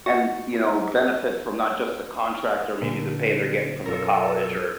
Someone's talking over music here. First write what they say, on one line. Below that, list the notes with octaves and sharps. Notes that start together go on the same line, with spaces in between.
And, you know, benefit from not just the contract or maybe the pay they're getting from the college or
F#4
A#2 D3
B1 F#2 F4 A4 A#4